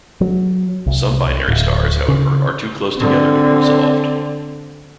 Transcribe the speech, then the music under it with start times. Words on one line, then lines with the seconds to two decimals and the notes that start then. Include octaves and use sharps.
Some binary stars, however, are too close together to be resolved.
0.21 F#3
0.87 C2
1.48 D1
2.08 C#3
2.97 D3 C4